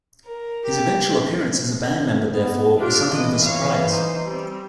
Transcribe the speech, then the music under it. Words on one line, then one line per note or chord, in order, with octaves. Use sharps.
His eventual appearance as a band member, therefore, was something of a surprise.
A#4
G4
B3
D4 F4 G4
E3 D#5
C#5 F5
D#4 C5
G3 C4